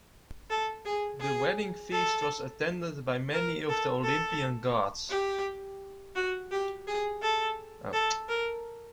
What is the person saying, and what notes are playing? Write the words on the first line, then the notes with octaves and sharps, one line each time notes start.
Their wedding feast was attended by many of the Olympian gods.
A4
G#4
G#4
A4
A#4
A4
A4
G4
F#4
G4
G#4
A4
A4
A#4